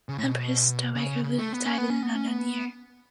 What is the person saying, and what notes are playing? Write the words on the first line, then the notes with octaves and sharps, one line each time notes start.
Empress Dowager Luo died in an unknown year.
C#3
A2
B2
C#3
C#3
A3
B3
C#4
B3
C#4
B3
C#4
B3